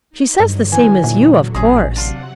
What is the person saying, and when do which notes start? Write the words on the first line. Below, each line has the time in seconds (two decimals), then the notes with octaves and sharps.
"She says the same as you, of course."
0.10 D#4
0.40 E2 G2 D3 F#3
0.72 E3 G#5
1.04 A#2
1.55 A1 D#4 G#4
1.96 C3 F#3 D4 F4 F#5